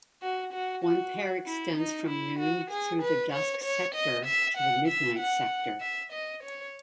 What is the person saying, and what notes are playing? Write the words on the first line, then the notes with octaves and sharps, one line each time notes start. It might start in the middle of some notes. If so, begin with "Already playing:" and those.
One pair extends from noon through the dusk sector to the midnight sector.
F#4
F#4
F#4
E4
D#4
E4
F#4
G#4
B4
C#5
C#5
D#5
E5
F#5
E5
F#5
E5
D#5
C#5